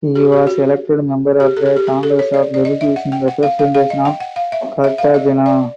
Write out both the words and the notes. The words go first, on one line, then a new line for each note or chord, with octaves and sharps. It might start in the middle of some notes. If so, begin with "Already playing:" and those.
He was elected member of the Congress of Deputies in representation of Cartagena.
G4
G4
F#4
G4
A4
G#4
G4
G#4
A4
C#5
D5
D5
D#5
E5
F#5
G5
F#5
F5
F5
F5
D#5
G5
F#5
F5
E5
E5
F5
D#5
D5